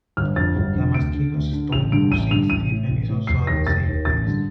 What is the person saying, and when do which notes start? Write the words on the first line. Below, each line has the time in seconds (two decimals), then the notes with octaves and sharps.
Damaskinos’s "Stoning of Saint Stephen" is also at the same place.
0.17 G1 F6
0.36 F2 D3 A6
0.56 G1
0.74 F2 D3
0.94 D2 D7
1.14 D3
1.34 D2
1.53 D3
1.72 A1 F7
1.92 G2 D3 D7
2.11 A1 D#7
2.31 G2 D3 F7
2.50 A1 D#7
2.70 A2
2.88 A1
3.08 A2
3.27 F1 C7
3.47 D#2 A#6
3.51 D#3
3.67 F1 A6
3.86 D#2 D#3
4.05 A1 A6
4.25 G2 D3